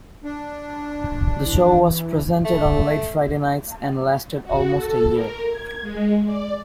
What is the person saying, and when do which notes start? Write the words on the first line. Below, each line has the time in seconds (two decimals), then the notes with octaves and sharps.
The show was presented on late Friday nights, and lasted almost a year.
0.24 D4
1.45 E3
2.45 A3
4.44 F#4
4.75 A4
5.13 A#4
5.49 G#6
5.81 G#3
6.25 D5